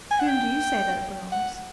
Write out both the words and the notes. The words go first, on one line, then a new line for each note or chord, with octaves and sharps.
"To whom do you say that it belongs?"
G#5
F#5
G5
F#5